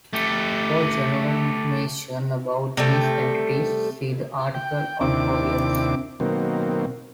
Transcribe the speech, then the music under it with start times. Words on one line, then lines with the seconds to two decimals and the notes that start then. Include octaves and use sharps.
For general information about these entities, see the article on powiats.
0.13 A3 G4
2.77 C3 G3 A3
4.55 G5
5.01 D#2 C3 C4 D4 E4 D6
6.20 B2 D#3 F#3 A#3 C4